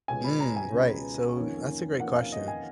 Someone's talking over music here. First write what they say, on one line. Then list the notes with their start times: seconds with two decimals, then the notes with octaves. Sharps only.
Mm, right, so that's a great question,
0.08 C#2 B2 G#3 C#4 G#5
0.24 B5
0.40 A#5
0.56 G#5
0.72 C#2 B2 G#3 C#4
1.36 F2 D#3 A#3 C#4
2.00 F2 D#3 A#3 C#4 F#5
2.16 F5
2.32 D#5
2.48 G#5